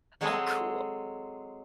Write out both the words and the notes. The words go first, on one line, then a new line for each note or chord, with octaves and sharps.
Oh, cool.
F#3 G#3 C4 G#4 A4 D#5